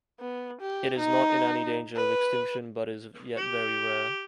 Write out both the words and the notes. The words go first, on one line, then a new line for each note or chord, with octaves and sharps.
It is not in any danger of extinction, but is yet very rare.
B3
G4
D#4
B4
G4